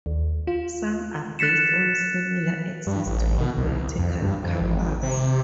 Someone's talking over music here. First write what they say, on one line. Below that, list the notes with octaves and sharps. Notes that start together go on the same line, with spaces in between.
Some are based on similar axes to the Political Compass.
D#2
F4
F#6 A6 B6 C#7 E7
G2
A1
B2
C2
F2
G2
F2
G#1
C3